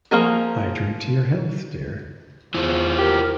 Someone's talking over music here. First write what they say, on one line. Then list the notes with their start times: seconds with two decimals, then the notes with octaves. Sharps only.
I drink your health, dear.
0.11 F3 A#3 G#4 A#4
2.54 E2 E4 F4 C5
2.98 G4 A#4